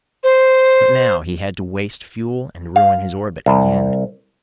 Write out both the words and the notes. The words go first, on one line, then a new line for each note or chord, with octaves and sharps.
But now he had to waste fuel and ruin his orbit again.
C5
F5
C2